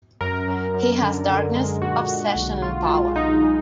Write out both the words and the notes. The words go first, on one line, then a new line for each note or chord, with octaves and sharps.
He has darkness, obsession and power.
F#2 A#4
F#2
F#2
D3
D3
G#3
A#2 F#4
A#2
B1
B1 F4
G#3 F4
B1 D#4
G#3